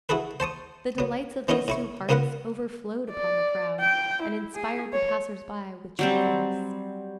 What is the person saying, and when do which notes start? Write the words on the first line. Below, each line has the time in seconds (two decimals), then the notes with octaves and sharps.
The delights of these two hearts overflowed upon the crowd, and inspired the passers-by with cheerfulness.
0.09 E4 F#4 G#4 A4 B4
0.40 C5 A5 C#6 D#6
0.98 F#3 B3
1.48 E3 B3 C#4 D#4 A#4 C#5
1.68 A2 E4 C#6
2.09 C#2 A#3 B3 A#4 B4 F#5
3.10 D5
3.80 G5
4.22 E4
4.55 G#4
4.93 C#5
5.99 F#3 G3 C4